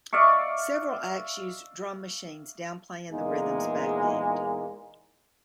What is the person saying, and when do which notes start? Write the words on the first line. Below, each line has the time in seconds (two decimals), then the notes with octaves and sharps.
Several acts used drum machines downplaying the rhythm's backbeat.
0.13 D5 E5 F5 C#6
3.12 E2 A#2 G#3 A#3 D#4